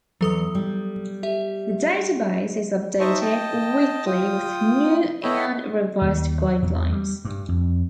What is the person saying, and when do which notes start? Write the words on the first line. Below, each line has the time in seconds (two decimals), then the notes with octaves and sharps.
The database is updated weekly with new and revised guidelines.
0.21 E2 F#3 A4 D#6
0.55 G3
1.23 G4 E5
3.00 D#4 C5 D#5 E5 A5 C#6
3.21 D#5 G5 A5
4.06 F4 G5 D#6
5.23 E4 A4 C#5 D#5 G5 B5
6.02 D#2
6.62 E2
6.92 G3
7.25 G2
7.49 F2